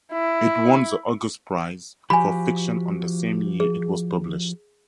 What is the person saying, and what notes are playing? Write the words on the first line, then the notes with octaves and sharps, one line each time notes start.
It won the August Prize for Fiction on the same year it was published.
E4
F3 F#4 G4 G#5 B5
G#4